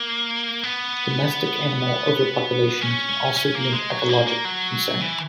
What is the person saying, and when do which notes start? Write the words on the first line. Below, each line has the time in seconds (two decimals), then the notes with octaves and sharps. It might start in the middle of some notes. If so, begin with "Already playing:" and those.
Domestic animal overpopulation can also be an ecological concern.
Already playing: A#3
0.63 B3
2.81 C#4
3.37 C#4
3.55 A#3
3.73 G#3
3.91 F#3
4.09 A#3
4.27 A#3
4.45 F#3
5.00 E3